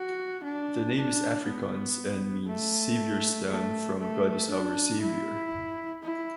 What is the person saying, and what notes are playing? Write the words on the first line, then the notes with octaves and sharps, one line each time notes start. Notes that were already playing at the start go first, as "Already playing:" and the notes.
The name is Afrikaans and means "Saviour's Town", from "God is our Saviour".
Already playing: F#4
D4
D4
B3
A3
A3
A3
D4
E4
E4